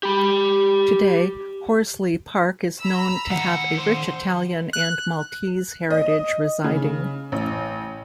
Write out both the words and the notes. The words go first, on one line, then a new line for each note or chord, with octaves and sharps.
Today, Horsley Park is known to have a rich Italian and Maltese heritage residing.
G4 B5
A#5 B5 E6
D#3 F#5
C5
F#6
D#5
C#3
A1